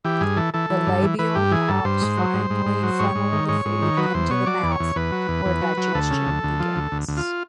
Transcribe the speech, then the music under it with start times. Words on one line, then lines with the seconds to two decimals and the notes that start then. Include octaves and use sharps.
The labial palps finally funnel the food into the mouth, where digestion begins.
0.05 E3 G4
0.21 G2 G#4
0.37 E3 A4
0.54 E3 A4
0.70 E3
0.87 G2
1.03 E3
1.19 E3 B4
1.35 G2 G4
1.51 E3 G#4
1.68 G2 A4
1.84 G2 C5
2.01 G#2
2.17 F#3
2.34 G#2
2.50 G#2
2.66 G#2
2.83 F#3
2.99 G#2 C#5
3.15 G#2
3.32 D#3
3.48 G#2 C#5
3.65 G#2
3.82 D#3
3.97 F#3 B4
4.14 E2 C5
4.30 B2 C#5
4.46 F#3 D5
4.63 E2
4.72 C#5
4.80 E2
4.96 E2 B4
5.12 F#3
5.28 E2
5.46 E2
5.61 F#3
5.77 F#3
5.94 D2 A4
6.11 C#3
6.26 D2
6.43 D2
6.60 F3
6.76 D2
6.92 D2
7.08 D2
7.17 F4